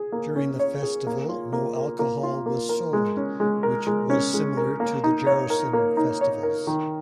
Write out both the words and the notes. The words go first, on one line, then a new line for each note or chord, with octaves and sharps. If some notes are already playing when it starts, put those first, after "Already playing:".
During the festival no alcohol was sold, which was similar to the Jarocin festivals.
Already playing: G#4
A#3
C#4
C#5
G#4
A#3
F4
A#3
A#4
A#3
F4
A#3
A#4
G#3
C#4
G#3
A#4
G#3
C#4
G#3
A#4
A#3
D#4
C#5
A#4
A#3
D#4
C#5
A#4
D#3